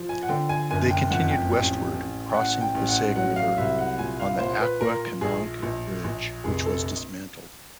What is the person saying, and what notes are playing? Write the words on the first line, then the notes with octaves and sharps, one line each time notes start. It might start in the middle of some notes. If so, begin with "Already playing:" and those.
They continued westward, crossing the Passaic River on the Acquakanonk Bridge, which was dismantled.
Already playing: F3
G#5
F#5
D3 G5
G#5
F#1 G#5
G5
F2 F#5
G5
A1 G5
A1
G5
A1 F#5
G5
A1
F#5
F#3 F#5
F5
C2 E5
F#5
A#2 G#5
F5
A#2 C5
B4
A#2 A#4
A#1 G#4
A#1
A#1
F1 G#4
A4